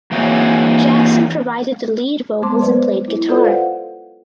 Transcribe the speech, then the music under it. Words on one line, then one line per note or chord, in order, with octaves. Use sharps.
Jackson provided the lead vocals and played guitar.
E3 A#3 C4 F#4 G#4 C#5
G#3 B3 C5 A5 C6 D6
F#3 B3 B4 C5 D5
E4
F4 A4 B4 C5 D5
F5 F#5